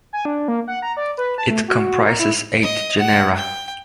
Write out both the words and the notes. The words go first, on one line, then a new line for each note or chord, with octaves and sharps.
It comprises eight genera.
G#5
D4
A#3
F#5
A#5
D5
B4
A5
A3
F#4
A#4
E4
D#5
F#5
G5